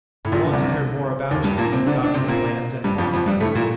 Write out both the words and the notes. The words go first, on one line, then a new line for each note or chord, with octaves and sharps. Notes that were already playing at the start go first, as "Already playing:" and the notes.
I want to hear more about you--about your plans and prospects.
A2
A#1 A#2
D3
C2 C3
D#2 D#3
G2 G3
A#2 A#3
C3 C4
D3 D4
D4
C3 C4
C4
A#2 A#3
G2 G3
F2 F3
F2 F3
G2 G3
A2 A3
A#2 A#3